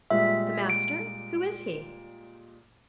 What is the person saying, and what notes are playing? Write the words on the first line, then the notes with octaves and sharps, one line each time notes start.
"The master?--who is he?"
A#2 G3 G#3 E5
D7